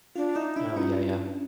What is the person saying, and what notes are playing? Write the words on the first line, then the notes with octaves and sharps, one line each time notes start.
Oh, yeah, yeah.
D4 F4
D#4 E4
D4 E4
C#4 D#4